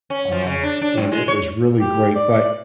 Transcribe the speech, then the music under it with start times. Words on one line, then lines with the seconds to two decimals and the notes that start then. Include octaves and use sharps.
um, and it was really great, but,
0.10 C#4
0.32 F3
0.46 C#3
0.63 D4
0.81 D4
0.98 F#2
1.12 G#3
1.28 C#5
1.81 G4
2.15 D5